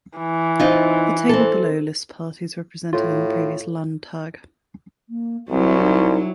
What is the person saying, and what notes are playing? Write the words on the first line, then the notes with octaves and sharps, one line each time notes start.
The table below lists parties represented in the previous Landtag.
E3
C4 D#4 F4
C4 A4
A2 F4
A#3
C2 F#3 C4 E4
D#4